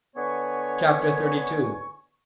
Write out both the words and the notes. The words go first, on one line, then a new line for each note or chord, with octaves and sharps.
Chap. XXXII.
D3 B3 B4 C#5 G#5 C#6